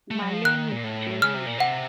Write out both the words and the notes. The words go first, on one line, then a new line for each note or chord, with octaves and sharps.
Marlens is Jewish.
A3
F#3
F3
D#3 F#6
A#2
A2
C#3 F6
C3
A#2
C3 F#5